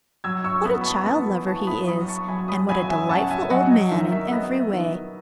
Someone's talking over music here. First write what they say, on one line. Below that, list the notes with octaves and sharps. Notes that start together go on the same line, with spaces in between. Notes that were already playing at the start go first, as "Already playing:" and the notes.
What a child-lover he is, and what a delightful old man in every way!
F#3 E6 G#6
C#6 E6
B3 B5 D#6
B5
A5 C#6
B3 A5 C#6
G#5 B5
E4 A5 C#6
B5 D#6
F#3 B5 D#6
A5 C#6
F#3 G#5 B5
B5 D#6
F#3 G#5 B5
E5 G#5
C#4 F#5 A5
E5 G#5
F#3 D#5 F#5
D#5
D#3 E5
E5
B3 D#5
E5
D#3